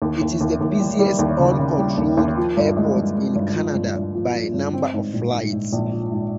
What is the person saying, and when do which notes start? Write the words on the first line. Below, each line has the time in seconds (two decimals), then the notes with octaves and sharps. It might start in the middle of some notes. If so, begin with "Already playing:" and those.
It is the busiest uncontrolled airport in Canada by number of flights.
0.02 D#2
0.21 D#2
0.41 D#2
0.61 D#2
0.80 G3
0.99 G3
1.19 D#2
1.39 C#3
1.59 C#3
1.78 G3
1.98 D#2
2.17 D#2
2.37 F3
2.57 G2
2.77 G#3
2.96 G2
3.16 G#3
3.35 G2
3.56 F3
3.75 G2
3.95 G2
4.15 F3
4.34 F3
4.54 G2
4.73 C4
4.94 G#2
5.13 A#1
5.33 G#2
5.53 G#2
5.72 A#1
5.91 F3
6.12 G#2